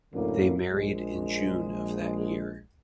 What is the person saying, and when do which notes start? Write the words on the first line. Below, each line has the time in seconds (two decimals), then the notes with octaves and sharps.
They married in June of that year.
0.14 F#2 A2 D3 A#3
0.72 A#1 G#3